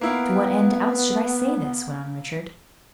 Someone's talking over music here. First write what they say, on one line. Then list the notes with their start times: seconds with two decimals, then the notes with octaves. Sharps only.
"To what end, else, should I say this?" went on Richard.
0.01 A#3 B3 E4 B4 F5